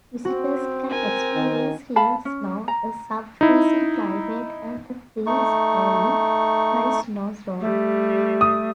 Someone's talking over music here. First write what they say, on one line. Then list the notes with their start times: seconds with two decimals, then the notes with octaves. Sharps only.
Visitors can experience real snow, a sub-freezing climate and a three-storey high snow slope.
0.25 C4 F#4
0.91 C4 A#4 G#5
1.35 D#3
1.96 F5 A5 B5
2.25 C#4
2.68 A#5
3.41 D#4 E4
5.26 A3 D#4 C#6
7.61 G3 A3
8.41 D#6